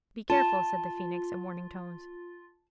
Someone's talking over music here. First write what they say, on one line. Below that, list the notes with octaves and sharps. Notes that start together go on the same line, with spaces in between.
Be careful,' said the Phoenix, in warning tones.
F4 A5